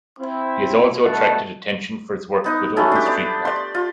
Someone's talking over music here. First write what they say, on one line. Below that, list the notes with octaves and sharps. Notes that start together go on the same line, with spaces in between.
He has also attracted attention for his work with OpenStreetMap.
C4 E4
B2 D3 A3 D4 F#5 A5
B3 D#4 D#5
F#3 A3 B3 C#4
D4 G4
B3 D5
D5 C6
F4